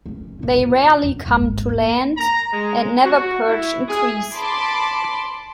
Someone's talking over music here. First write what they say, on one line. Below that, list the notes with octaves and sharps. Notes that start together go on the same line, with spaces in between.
They rarely come to land and never perch in trees.
F1 C#4
A1 C3
D3 F4
F2
D#1 G#1
A#3
A#5
G#3
F#4
E4
G#4
A5 B5 C6 D6